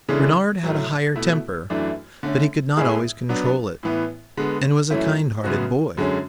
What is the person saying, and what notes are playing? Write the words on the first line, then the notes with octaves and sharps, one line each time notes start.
Bernard had a high temper, but he could not always control it, and was a kind-hearted boy.
C#3 E3 G#3 D4 A4
A2 F#3 A3
B2 A3 E4
F#2 E3 A3 D4
D3 A3 C#4
A2 G#3 B3 E4 G#4
F#3 B3 D4
A2 E3 B3
D3 G#3 B3
F#2 E3 A3 C#4 E4
F#2 C#3 G#3 B3 F#4
F#2 D3 G#3 C#4